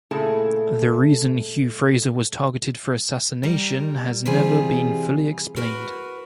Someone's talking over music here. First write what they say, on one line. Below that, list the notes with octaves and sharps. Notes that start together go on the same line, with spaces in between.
The reason Hugh Fraser was targeted for assassination has never been fully explained.
A#2 C#3 A3 E4 G#4 A4
G3 A#4
C3 E3 G3 F4 G#4 G#5
F#4 A#4 B4